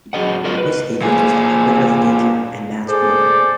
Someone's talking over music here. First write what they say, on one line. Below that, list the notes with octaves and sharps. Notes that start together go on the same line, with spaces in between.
Miss Havens was the operator of the day care and Matt's mother.
F#3 G#4 D#5 F#5
F4 F#4 G#4 A#4 D#5 F#5
B4
A#2 G#4
G#4 A4 C5 D5